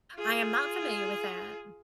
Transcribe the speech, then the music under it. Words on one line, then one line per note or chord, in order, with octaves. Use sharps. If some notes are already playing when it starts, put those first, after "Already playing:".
I am not familiar with that. Mm.
F4 G#4